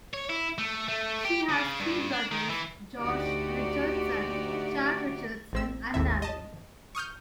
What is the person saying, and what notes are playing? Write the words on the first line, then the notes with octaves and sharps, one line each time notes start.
She has three brothers: Josh Richardson, Chad Richardson, and Nalin.
C#5
E4
A3
A3
G4
C#3
G2
D4
D#3
E3
D2 D#4 F#4 G4 D5
A1 C4 E6
G#1 D#2 A2 E5
D#5 A5
C#6 D#6 F6 G6